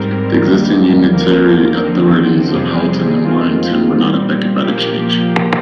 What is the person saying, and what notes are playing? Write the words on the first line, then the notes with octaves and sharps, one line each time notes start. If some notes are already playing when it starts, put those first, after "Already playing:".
The existing unitary authorities of Halton and Warrington were not affected by the change.
Already playing: G#2 G3 C4 A#4
D#2 D#3 G3 A#3
D#2 D3 F3 A#3 A#4
D#2 D3 F3 C4
F2 C3 G3 C4 G#4
F2 D#3 G#3 C4 F4
A#2 G3 C4
A#2 F3 A#3 G4